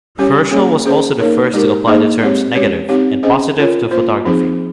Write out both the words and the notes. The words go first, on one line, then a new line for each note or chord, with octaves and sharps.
Herschel was also the first to apply the terms "negative" and "positive" to photography.
G3 C#4 G4 C#5
A#3 C#4 G#4 C#5
C#4 G#4 C5
A#3 D#4 A#4 C#5
G#3 D#4 G4 A#4
A#3 D#4 G#4 C5 D#5
G#3 C4 G4 C#5
G#3 C#4 G4 C#5
C4 D#4 G4 C#5
C#4 G#4 C5 D#5
C#4 F4 A#4 C#5
A#3 F4 C5
F3 C4 D#4 G#4